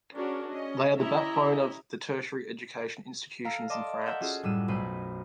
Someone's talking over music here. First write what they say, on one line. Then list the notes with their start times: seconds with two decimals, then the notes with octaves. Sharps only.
They are the backbone of the tertiary education institutions in France.
0.15 C#4 D4 F#4 G#4 A#4
0.50 C#4 D#5
0.98 C#4 E4 G4 D#5 E5 A#5
3.44 A4 F5 A#5
3.70 D5 D#5 A5 C6 D6
4.06 A4 A#4 E5 F#5 E6 G6
4.20 C#4 F4 F#4 G#4 A4
4.43 F#2 A2 G3 E6 D#7
4.68 B1 A3 C5 B5 D#7